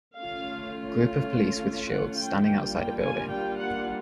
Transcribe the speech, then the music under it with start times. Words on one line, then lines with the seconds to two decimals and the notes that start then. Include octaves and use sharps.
Group of police with shields standing outside a building.
0.17 A3 C#4 F4 F5
1.87 F#5
2.16 G5
2.44 G3 A#3 D4 F4 G5
2.73 G5
3.02 G#5
3.29 G5
3.58 F#5